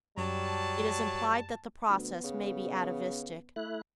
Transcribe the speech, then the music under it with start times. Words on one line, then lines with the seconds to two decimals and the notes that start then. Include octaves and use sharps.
It is implied that the process may be atavistic.
0.18 F#2 F#3 G3 A5
1.89 D2 B3
2.24 C#3
3.56 A3 E4 F#6